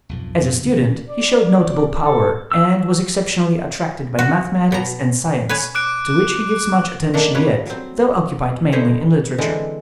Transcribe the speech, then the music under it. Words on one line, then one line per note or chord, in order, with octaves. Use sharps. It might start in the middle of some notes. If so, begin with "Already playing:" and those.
As a student he showed notable power, and was exceptionally attracted by mathematics and science, to which he gives much attention yet, though occupied mainly in literature.
B1 F2 G#2
F2 B3 D4
D2 C#3 E3 F#3
D5
A4
E6
F#4
B2 A#5
B4 C#5 G#5
D6 F#6 D7
D#3 A#3 D4 A4 A#4
G3 D4 F4 B4 C#5 F#5
F#3 C4
D3 E4 C5 C#5 D#5 E5
D3 E3 G#3 C4